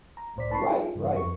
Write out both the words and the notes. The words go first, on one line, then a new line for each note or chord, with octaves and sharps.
Right, right.
A#5
C2 A2 C5 D5 B6
B4 A5 B5 C#6 C7
D#4 F4 G#4
G2 C#3 E3
F2 C#6